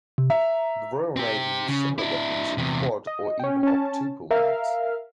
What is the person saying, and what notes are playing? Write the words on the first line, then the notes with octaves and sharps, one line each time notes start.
The Royal Navy used similar weapons in quad or even octuple mounts.
C3
E5 A#5
C4 G4
C#3
D4 E4
E2 C3
D#5
C#4 G5
C#4 A5
A#4 E5 F5 F6